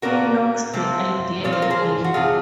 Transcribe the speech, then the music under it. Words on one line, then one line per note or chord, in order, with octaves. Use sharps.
He knocks the idea again.
A#2 F#3 A#3 C#4 F4 F#4 A#4
C3 F3 C4 F4
A#2 F3 C4 F4 C#5
C5
A#4
G#4 C5
F#4
C3 F#3 C#4 F4 G#4